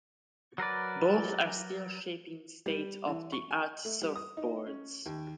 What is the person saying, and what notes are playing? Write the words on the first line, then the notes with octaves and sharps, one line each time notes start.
Both are still shaping state of the art surfboards.
F#3 A#4 B4 D5
G3
E3
C#6
G#5
A3
G3
D#6
D#4
C#4
D#2